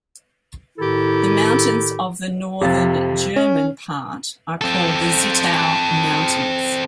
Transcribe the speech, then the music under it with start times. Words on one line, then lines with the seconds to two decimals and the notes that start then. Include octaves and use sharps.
The mountains of the northern, German, part are called the Zittau Mountains.
0.79 A2 D#3 E4 G4 A4
2.61 F2 C3 G4 F5 A6
3.36 C#4 C#5
4.61 C4 A4